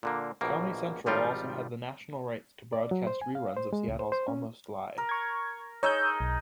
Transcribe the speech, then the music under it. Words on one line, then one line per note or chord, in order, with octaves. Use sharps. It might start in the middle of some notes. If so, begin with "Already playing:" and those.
Comedy Central also had the national rights to broadcast reruns of Seattle's Almost Live!
A#2 D3 A#3
A#1 B2 A#3
G#1 F3 G3 D#4 F4 G5
D5
F#3
C5
G#5
F5
C5
G#3
C#2
C5
C5
C#4
A#4
C#6 G#6
D#4 G#4 C#5 E6 G6
B1